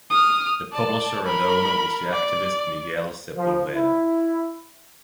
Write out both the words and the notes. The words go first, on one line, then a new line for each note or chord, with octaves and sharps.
The publisher and owner was the activist Miguel Sepulveda.
D#6 F6
D5 A5
A#4 B5
D5
F3
E4